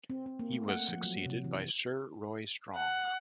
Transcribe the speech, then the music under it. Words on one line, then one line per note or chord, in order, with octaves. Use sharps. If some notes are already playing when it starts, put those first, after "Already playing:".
He was succeeded by Sir Roy Strong.
C4
C4
A#3
A3
F#5
F3
F#3
C3
E3
F#5